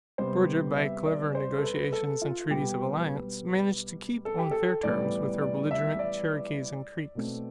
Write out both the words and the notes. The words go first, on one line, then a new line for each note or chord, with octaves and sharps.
Georgia, by clever negotiations and treaties of alliance, managed to keep on fair terms with her belligerent Cherokees and Creeks.
C3 G3 B3 C5
E5
D5
C5
A4
B4
A4
F4
B2 G3 B3 G4
A4
G4
A4
A2 E3 G3 B3 D5
D5
E5
D5
B2 A3 C4